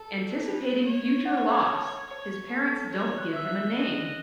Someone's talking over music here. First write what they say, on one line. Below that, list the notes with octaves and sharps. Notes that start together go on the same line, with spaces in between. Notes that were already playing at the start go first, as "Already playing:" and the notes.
Anticipating future loss, his parents don't give him a name.
Already playing: A4
B4
C#5
C#5 F#5
A5
G#6
C#5
A4
C#5 G#6
F#6
E5 E6
F#6
D#5 F#6
F#6